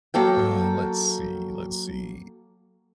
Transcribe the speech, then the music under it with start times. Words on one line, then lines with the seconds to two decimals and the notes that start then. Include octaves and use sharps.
Uh, let's see, let's see.
0.14 F#3 A#3 A4 G5